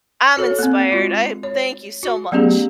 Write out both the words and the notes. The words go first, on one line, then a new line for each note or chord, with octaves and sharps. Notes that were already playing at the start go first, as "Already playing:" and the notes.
I'm inspired, I'm thank you so much.
F#4 A4 C#5
A#3 C4
G#3 F4 F#4
C#5
F#4
F#3 A3 B3 C#4 G4 G#4